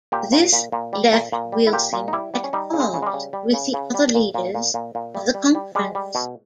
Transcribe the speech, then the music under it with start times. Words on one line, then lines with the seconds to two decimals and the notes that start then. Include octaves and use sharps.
This left Wilson at odds with the other leaders of the conference.
0.12 A#2 G4
0.32 A#2
0.53 A#2
0.72 A#2
0.93 G3
1.12 A#2
1.32 A#2
1.52 G3
1.67 E4
1.73 A#2 G4
1.93 A#2
2.08 D#4
2.13 G3 E4
2.34 G3
2.44 C#4
2.53 G3 D#4
2.73 C#3
2.80 G#3
2.94 C#3
3.02 G#3
3.06 G3
3.13 C#3
3.33 G3
3.53 C#3
3.74 C#3
3.94 G3
4.14 A#2
4.34 A#2
4.55 A#2
4.74 A#2
4.95 A#2
5.15 G3
5.34 G3
5.55 G3
5.75 G3 G#3
5.95 G3
6.15 B2